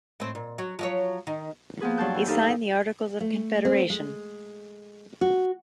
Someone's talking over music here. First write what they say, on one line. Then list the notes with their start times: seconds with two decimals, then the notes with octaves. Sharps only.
He signed the Articles of Confederation.
0.20 A2 C4
0.35 A#2
0.58 F#3
0.79 F3 F#3 C#5
1.27 D#3
1.80 F3 A#3 B3 G#4 B4
1.97 G2 F#3 C5 A5 G6
2.14 E3
2.27 D#4 G4 A4 A#4 C5 F5
3.21 A3
3.65 C4
3.90 G#3
5.21 F#4